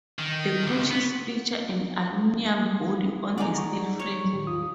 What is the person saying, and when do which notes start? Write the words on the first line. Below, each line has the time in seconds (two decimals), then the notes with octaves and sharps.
The coaches feature an aluminum body on a steel frame.
0.19 D#3
0.67 C#2
0.91 B3
3.38 D#4 G#4 D5 F#5 G#5 A#5
3.55 A#5 C#6
3.99 C#5
4.33 A2 D#3 G4
4.47 E2 F4 D#6